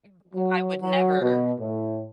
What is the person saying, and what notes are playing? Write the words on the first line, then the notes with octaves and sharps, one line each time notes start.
Mm, yeah, I would never
F#3
F#3
B2
A2